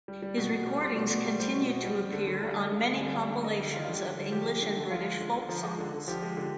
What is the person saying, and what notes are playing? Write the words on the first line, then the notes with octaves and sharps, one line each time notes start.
His recordings continued to appear on many compilations of English and British folk songs.
G3
G3
B2
B2
G3
G3 C6
B2
B2 D5
G3
G3 C5
B2
B2
G3
G3
D3
D3
G3
G3 D#5
D3 F5
D3
G3 G#5
G3 F5
D3
D3 D#5
G3
G3 F4
F4
D3 G4
D3
G3
F3 G4
G#3
D3
D3
F3 F4
G#3
D3
D3
F3
G#3
D3
D3
F3 G4
G#3
D3 G4